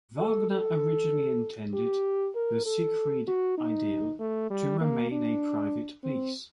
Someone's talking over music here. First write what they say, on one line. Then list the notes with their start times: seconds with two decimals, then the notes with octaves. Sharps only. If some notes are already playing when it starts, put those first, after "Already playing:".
Wagner originally intended the "Siegfried Idyll" to remain a private piece.
0.20 A4
0.51 A4
1.73 G4
2.35 A#4
2.66 A4
3.27 F#4
3.58 D#4
4.20 A3
4.50 G3
4.80 A#3
5.12 D4
6.04 C4